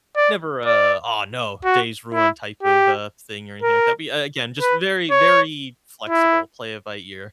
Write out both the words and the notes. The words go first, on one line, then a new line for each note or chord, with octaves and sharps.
never a, "Aw, no, day's ruined," type of, uh, thing or anything like that, but again, just very, very flexible, play it by ear.
D5
D5
F#4
E4
G4
A#4
B4
C#5
E4